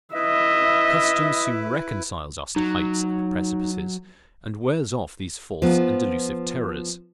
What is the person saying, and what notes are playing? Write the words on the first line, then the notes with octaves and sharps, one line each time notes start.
Custom soon reconciles us to heights and precipices, and wears off these false and delusive terrors.
E4 B4 D#5 E5
F#3 D#4
F3 B3